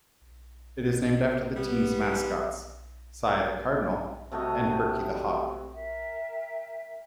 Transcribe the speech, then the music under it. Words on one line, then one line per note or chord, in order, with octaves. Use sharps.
It is named after the teams' mascots, Cy the Cardinal and Herky the Hawk.
G3 B3
C3 A3 F#4 D#5
A#4 E5 G5